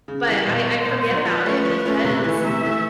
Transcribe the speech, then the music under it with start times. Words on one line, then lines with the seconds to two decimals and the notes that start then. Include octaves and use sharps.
But I I forget about it because
0.08 C#3
0.28 E3 G3
0.47 B2 C5
0.67 F#3 A#3
0.86 B2
1.06 F#3 A#3
1.25 F3 B4
1.46 A3 C#4
1.65 F3 B4
1.86 A3 C#4
2.04 C3
2.24 E3 A3
2.44 C3 E5
2.63 E3 A3